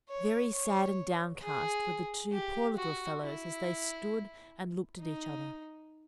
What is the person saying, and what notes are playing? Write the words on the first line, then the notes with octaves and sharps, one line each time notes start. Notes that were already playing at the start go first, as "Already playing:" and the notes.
Very sad and downcast were the two poor little fellows as they stood and looked at each other.
C#5
C#5
G#4
G4
F#4
E4
D#4